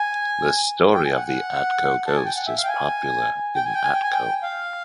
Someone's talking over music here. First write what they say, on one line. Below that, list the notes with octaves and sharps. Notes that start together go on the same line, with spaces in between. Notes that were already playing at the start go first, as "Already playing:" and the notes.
The story of the Atco Ghost is popular in Atco.
Already playing: G#5
G5
G#5
F#5
F#5
A5
G#5
G5
F#5
E5
F5
G5
G#5
G5
G#5
G5
G#5
G5
G#5
G5
F5